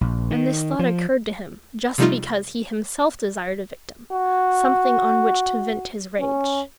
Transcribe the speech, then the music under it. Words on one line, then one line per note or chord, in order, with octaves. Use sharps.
And this thought occurred to him just because he himself desired a victim, something on which to vent his rage.
A#1
D#3
F3
C3 F3 G3 A3 D#4 F4
F#4
C#4